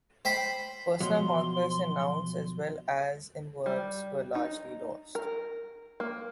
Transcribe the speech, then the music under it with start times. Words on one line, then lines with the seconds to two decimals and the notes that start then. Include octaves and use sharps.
Personal markers in nouns as well as in verbs were largely lost.
0.25 C5 G5 B5
1.00 B2 F3 F#3 C6
3.66 G3
4.35 D#4
5.15 A#4
6.00 A#3